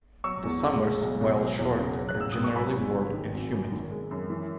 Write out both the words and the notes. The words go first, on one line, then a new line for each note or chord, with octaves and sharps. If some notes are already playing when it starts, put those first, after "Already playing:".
The summers, while short, are generally warm and humid.
F#3 C#6 E6
E2
C#3
G#3
B1
B2
F#3
E2
C#3
F#3
F#6
A1 E6
G#2 D#6
C#6
F#3 G#5 B5
E2
C#3
D#3
G#1
F#2
D#3
G#3
F#2
E3